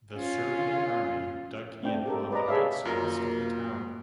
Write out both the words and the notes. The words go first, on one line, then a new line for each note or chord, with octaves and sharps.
The Serbian army dug in on the heights west of the town.
C#4 F4
A3 C4 D4 G5
G4 A4 A#4
B4 D5 D#5 A#5
G#4 A4 C#5 E5 F5
F#2 A#3 F4 F#4 A#4 A#5